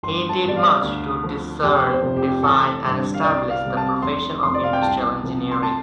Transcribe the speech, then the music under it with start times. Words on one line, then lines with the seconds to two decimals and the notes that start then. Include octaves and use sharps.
He did much to discern, define, and establish the profession of industrial engineering.
0.03 G1 C6
0.29 A5
0.44 G2 G3 D5
0.56 F5
0.83 D2
1.23 D3 F3
1.63 F1 G4
1.90 C5
2.03 F2 C3 F3
2.16 G4
2.43 A1 A4
2.84 G2 D3 G3
3.14 F5
3.23 C2 D5
3.50 F5
3.63 C3 G3
3.77 A5
4.02 F1 C6
4.43 F2 F3 C6
4.54 D5
4.64 F5
4.73 G5
4.82 C2 A5
5.24 C3 F3
5.51 C6
5.63 A5